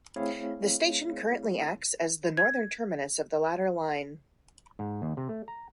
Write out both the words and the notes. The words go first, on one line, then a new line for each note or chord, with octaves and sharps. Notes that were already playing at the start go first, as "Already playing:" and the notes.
The station currently acts as the northern terminus of the latter line.
A3 C4 E4 G#4 C#5 F5
G#6
G#2
D#2
C3
A3
A#5